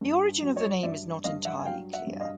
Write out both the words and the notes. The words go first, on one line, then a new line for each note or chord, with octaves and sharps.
The origin of the name is not entirely clear.
G2
F#3
C#5 D#5
G2 D5 E5
G2 D#5 F5
E5 F#5
G#5
F#3 F5 G5
E5 F#5
G2
D#5 F5